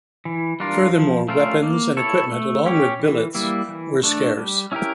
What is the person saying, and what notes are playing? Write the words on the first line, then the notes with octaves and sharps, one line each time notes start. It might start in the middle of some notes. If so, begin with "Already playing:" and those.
Furthermore, weapons and equipment, along with billets, were scarce.
E3
G3 D4 F4 A#4
F3
A3 C#4 F4 A#4
A#3
E4 A4 C#5
A3
C#4 G4 C#5
E3
G3 A#3 E4
E3
A3 D4
G3
C#4 E4 G4 A#4